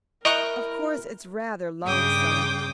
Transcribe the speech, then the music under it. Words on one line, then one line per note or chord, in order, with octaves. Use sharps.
Of course, it's rather lonesome.
E4 A#4 D#5 G5 A#5 C#6 F#6
G2 C#3 G5 D6 D#6